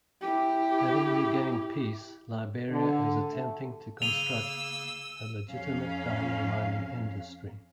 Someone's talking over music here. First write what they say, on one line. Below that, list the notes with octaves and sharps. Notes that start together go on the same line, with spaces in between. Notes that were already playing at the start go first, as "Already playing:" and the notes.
Having regained peace, Liberia is attempting to construct a legitimate diamond mining industry.
E4 G4
D3
A3
C#3 A#3 E6 D#7 F7 G7
F2 C#4 F5